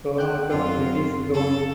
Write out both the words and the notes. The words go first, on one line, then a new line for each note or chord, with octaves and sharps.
Pronotum reddish brown.
G5 F#6 G6
F#2 F#3 C4 F4
A4